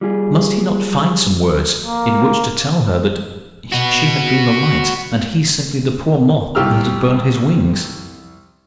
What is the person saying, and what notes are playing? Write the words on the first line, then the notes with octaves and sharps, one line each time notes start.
Must he not find some words in which to tell her that she had been the light, and he simply the poor moth that had burned his wings.
G3 F4 G#4
A#3
F#4 B4
C2 G4 E6 F6